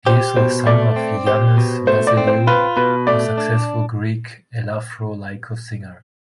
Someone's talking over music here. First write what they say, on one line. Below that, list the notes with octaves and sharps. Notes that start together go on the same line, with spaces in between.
He is the son of Yiannis Vasileiou, a successful Greek elafro-laiko singer.
G4 C5
B2 C5
A3 D5
C4
G4 C5
B2
A3 C5
D5
C4
C5
F4 B4
B2 B4
A3 D5
D4